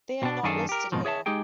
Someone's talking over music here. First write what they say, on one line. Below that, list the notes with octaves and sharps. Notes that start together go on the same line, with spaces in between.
They are not listed here.
B2 D4
F#2 D#3 D4 G#4 A4
G4 A#4
F2 G#2 B2 D#3 F3
G#4 C#5 E5 A5
G#3 D#4 G4 G#4 G5